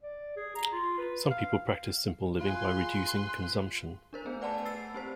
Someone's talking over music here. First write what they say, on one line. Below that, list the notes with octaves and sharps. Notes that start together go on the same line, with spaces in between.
Some people practice simple living by reducing consumption.
D5
G#4
A#5
F4
B4
F5
F4 G#4 B4 C6
D4 A#4 C5
A3 B3 G#4
B4 D5 F#5 G#5 A5 B5
E6 A6 C7
C4 G4 C5